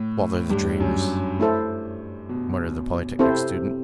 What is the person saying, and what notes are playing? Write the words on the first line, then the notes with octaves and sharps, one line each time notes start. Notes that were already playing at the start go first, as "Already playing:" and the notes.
"Bother the dreams!" muttered the Polytechnic student.
Already playing: A2
G2
F#2
A3 E4 A4 C5
B2
C3 C4 E4 A4 C5